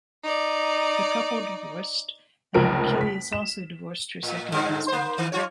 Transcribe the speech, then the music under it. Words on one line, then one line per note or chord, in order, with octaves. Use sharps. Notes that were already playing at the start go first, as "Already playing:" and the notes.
The couple divorced, and Kilius also divorced her second husband.
D#4 D5
F1 C#2 F3 A#4 D7
B6
E7
A2
G2 A#2 D3
A#3 C5
D#3
F#3 F4 C#5